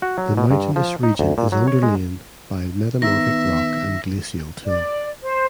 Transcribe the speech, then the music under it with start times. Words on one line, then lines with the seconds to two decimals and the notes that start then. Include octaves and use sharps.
The mountainous region is underlain by metamorphic rock and glacial till.
0.02 F#4
0.18 F#3
0.37 B2
0.51 G2
0.76 F3
1.03 D#4
1.19 D2
1.38 A#2
1.52 F#3
1.67 C#5
1.83 G#3
3.02 D#3 B3 E5 A#6
4.66 D5
5.23 C5